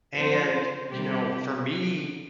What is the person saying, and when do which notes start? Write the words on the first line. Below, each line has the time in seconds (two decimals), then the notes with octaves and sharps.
and, you know, for me,
0.17 F3 C4 C5
0.91 C3 G3 C4 G4